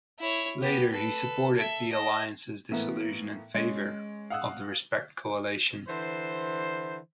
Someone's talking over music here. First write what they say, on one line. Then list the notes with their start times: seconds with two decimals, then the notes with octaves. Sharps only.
Later, he supported the Alliance's dissolution in favour of the Respect Coalition.
0.19 E4 C#5
0.61 B3 G4
0.92 A4 B4
1.55 A4 E5
1.92 D#5 A5
2.72 A2 E3 A#3 B3
3.55 G#3 C#4
4.30 F5 F#5 D#6 E6 F#6
5.88 D3 E3 C5